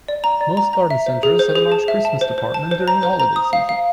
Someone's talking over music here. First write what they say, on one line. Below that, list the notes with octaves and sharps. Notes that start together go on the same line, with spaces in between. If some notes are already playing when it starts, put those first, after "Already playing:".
Most garden centers have a large Christmas department during the holiday season.
D5
A#5
D5
A#5
A#5
E5
C5
G#4
C5
G#4
A5
E5
A5
C5
C5
A5
C5
A#5
C5
A#5
D#6
F5
F5